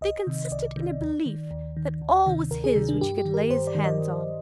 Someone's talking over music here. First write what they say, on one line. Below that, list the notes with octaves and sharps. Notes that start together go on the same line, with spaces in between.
They consisted in a belief that all was his which he could lay his hands on.
C2 D#5
C3 D#3
C2 D5
C3 D#3
D#2
D#3
D#2
D#3
D2
C3 D#3
D2 A#4
G#4
C3 D#3
D4
G2 G4
G4
D#3
A#4
G2 C5
D5
D#3
D#5